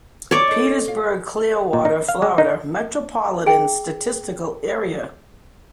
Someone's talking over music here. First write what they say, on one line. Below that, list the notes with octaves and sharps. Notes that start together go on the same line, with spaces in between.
Petersburg-Clearwater, Florida Metropolitan Statistical Area.
C#5 D5
D#4 A4
F4
A#2
D#4
F5
G#3
D#4
G#4 G5